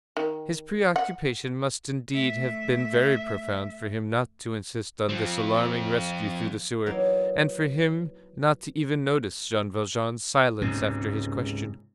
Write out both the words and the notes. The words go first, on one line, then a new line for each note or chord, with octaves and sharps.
His preoccupation must indeed have been very profound for him not to insist on this alarming rescue through the sewer, and for him not to even notice Jean Valjean's silence after his question.
D#3
F#5
A3 E5
F3 C4
E3 F#3 A#3 D#4
C#2 G#2 C3